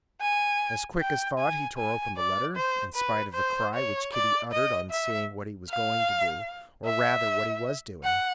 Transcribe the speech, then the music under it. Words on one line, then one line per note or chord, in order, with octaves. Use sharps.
As quick as thought, he tore open the letter, in spite of the cry which Kitty uttered on seeing what he was going to do, or rather, what he was doing.
G#5
G5
G#5
G#5
D5
C5
B4
C5
C#5
D5
D#5
E5
F5
E5
F#5